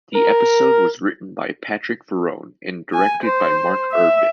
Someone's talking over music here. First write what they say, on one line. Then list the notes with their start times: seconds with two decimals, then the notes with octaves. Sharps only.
The episode was written by Patric Verrone and directed by Mark Ervin.
0.14 A#4
2.93 G#5
3.23 C5
3.92 E5